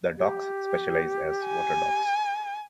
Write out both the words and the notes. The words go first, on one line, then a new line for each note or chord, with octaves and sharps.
The dogs specialize as water dogs.
G4
G#5